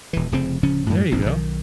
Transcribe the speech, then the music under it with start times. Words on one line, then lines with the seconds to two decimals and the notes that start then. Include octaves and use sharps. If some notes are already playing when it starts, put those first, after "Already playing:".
There you go.
0.13 D#1 E3
0.32 F1 C#3 F3 C4
0.63 D1 C#3 F3 C#4
0.87 F#2 A2
1.11 E1 A#1 A#2 C4
1.26 B1 D#3